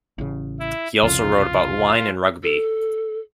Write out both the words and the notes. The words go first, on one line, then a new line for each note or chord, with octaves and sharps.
He also wrote about wine and rugby.
A1 C#3
E4
C2 F2 C#3 F4
A4